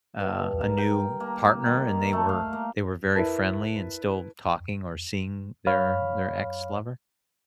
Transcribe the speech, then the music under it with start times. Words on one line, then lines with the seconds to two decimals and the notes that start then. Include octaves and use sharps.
uh, a new partner and they were they were very friendly and still talking or seeing their their ex-lover?
0.20 G2
0.61 A#4
0.78 G5
1.20 A#3
1.66 D#3
2.13 A3
2.29 F5
2.53 A#3
3.16 E4 A#4 B4 A5
5.67 F#2 C#5 F5 B5 F6